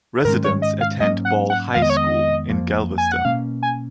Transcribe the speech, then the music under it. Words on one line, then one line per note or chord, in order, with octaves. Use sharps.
Residents attend Ball High School in Galveston.
G#2 D#3 G#3 C#4 A#4
C#5
D#5
F5
G#2 F#3 A#3 C#4 D#5
F#5
F#5
F2 D#3 G#3 B3 F5
D#5
C#5
D#5
F2 F3 A#3
G#5
F#5
B2 A#3 C#4 F5
G#5